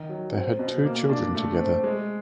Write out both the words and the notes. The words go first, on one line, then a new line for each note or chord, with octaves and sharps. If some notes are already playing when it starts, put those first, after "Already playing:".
They had two children together.
Already playing: D#3
F#3
C4
B2
A#3
D4
A3
C4
G#3